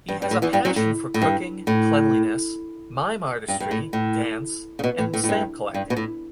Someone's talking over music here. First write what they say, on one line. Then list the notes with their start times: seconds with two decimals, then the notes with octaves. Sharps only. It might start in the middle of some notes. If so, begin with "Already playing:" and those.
He has a passion for cooking, cleanliness, mime artistry, dance, and stamp collecting.
0.09 G2
0.22 G2
0.31 A2
0.42 E2 E3
0.53 G2 G3
0.65 F#2 F#3
0.76 A2
1.14 A2
1.22 G2
1.67 A2
3.48 G2
3.60 G2
3.71 A2
3.93 A2
4.79 C#3
4.84 B2
4.98 A2
5.14 A2
5.24 A2
5.29 G2
5.74 G2
5.90 B2
5.97 A2